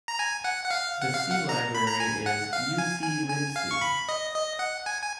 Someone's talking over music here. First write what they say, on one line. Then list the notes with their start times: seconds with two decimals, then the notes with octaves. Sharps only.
The C-library is uClibc.
0.08 A#5
0.19 G#5
0.44 F#5
0.65 F#5
0.71 F5
1.02 F#5
1.14 F5
1.31 F#5
1.49 A#5
1.75 B5
1.87 A#5
2.00 G#5
2.26 F#5
2.53 F5
2.78 G#5
3.04 G#5
3.30 G#5
3.56 F5
3.71 C#6
3.81 B5
4.09 D#5
4.34 D#5
4.59 F#5
4.86 G#5
5.02 G#5